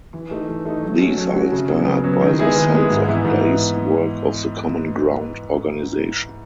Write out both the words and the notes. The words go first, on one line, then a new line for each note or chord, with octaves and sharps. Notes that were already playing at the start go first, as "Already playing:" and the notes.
These are inspired by the "sense of place" work of the Common Ground organisation.
E3
A3 D#4
E3
A3 D#4
F#3
A3 C#4 F#4
F#3
A3 C#4 F#4
C#3
F#3 B3
C#3
F#3 B3
D#3
G#3 B3 E4 G#4
D#3
G#3 B3 E4 G#4
G#2
E3 B3 E4
G#2